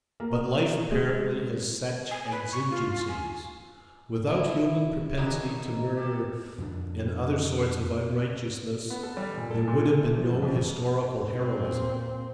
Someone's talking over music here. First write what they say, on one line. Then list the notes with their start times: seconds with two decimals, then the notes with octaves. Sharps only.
But life, apparently, has such exigencies. Without human propensity to murder and other sorts of unrighteousness there would have been no historical heroism.
0.20 A#3
0.91 G#3
2.11 G#5
2.31 B4
2.52 C#6
2.70 F4
3.08 G#5
4.27 E4
5.17 D#2 D3 E3 F#3 F#4 D#5 E5 A#5
5.97 G4 A4
6.58 F2 D4
8.90 B3
9.03 A4
9.17 G3
9.37 A#2
9.51 A4
9.68 A#2
9.87 A4
10.02 A3
10.17 F3
10.30 G2
10.43 F2
11.35 A#2 C4